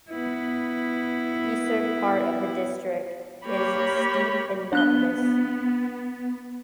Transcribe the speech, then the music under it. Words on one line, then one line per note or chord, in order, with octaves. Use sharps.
The eastern part of the District is steep and mountainous.
B3 E4
A#3 G4 C#5 B5
B3 D4 F#6 G7